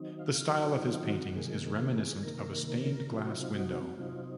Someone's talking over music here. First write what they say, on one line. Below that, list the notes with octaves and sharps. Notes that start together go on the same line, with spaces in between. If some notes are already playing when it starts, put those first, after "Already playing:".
The style of his paintings is reminiscent of a stained glass window.
Already playing: D#3 F#3 C4 D#4
F5
D#3 F#3 C4 D#4 F#4
F4
F#4
C3 D#3 A#3 G#4
G#4
C3 D#3 A#3 A#4
A#4
C3 F#3 C4 D#4 F4
F#4
F4
F#4
C3 F#3 C4 D#4 F4